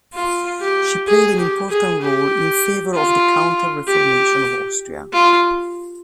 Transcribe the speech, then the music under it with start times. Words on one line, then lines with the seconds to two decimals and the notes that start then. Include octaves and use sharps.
She played an important role in favor of the counter reformation in Austria.
0.14 F4
0.61 G4
1.07 G#4
1.38 G4
1.70 G#4
2.01 G4
2.94 F4
3.87 G4
5.13 F4